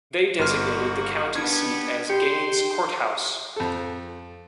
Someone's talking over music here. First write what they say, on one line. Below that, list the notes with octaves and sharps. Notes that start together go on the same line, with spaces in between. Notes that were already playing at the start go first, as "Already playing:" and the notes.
They designated the county seat as Gaines Courthouse.
G1 A#3 D#4 F#4 C6 F6
G3 B3 D4 G#6
G4 G5 C6 C#7
F2 A4